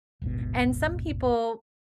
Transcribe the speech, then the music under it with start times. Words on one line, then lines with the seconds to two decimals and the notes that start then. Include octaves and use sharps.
And some people
0.22 D#1 G#1 B2